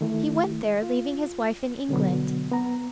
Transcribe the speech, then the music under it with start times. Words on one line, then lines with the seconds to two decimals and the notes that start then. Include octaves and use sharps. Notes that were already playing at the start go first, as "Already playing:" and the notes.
He went there, leaving his wife in England.
0.01 D#3 A3 E4
0.83 F4
1.89 B2 D3 F#3 B3
2.52 B3 A#5